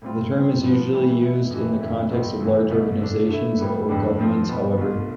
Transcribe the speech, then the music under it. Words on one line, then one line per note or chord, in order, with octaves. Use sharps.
The term is usually used in the context of large organizations or governments, however.
A2 G3 C4 F4
C3 G3 C4
G2 F3 B3
A2 E3 G3
B2 B3 E4
F2 C3 E3 B3
F2 D3 A3 E4
C2 B2 G3 C4
D2 C3 E3
C2 B2 A3
D3 A3 D4
D3 A3 E4
A2 G3 B3
F2 D3 G3 B3 D4
G2 F3 C4
B2 G3 B3
C2 B2 A3 D4 F4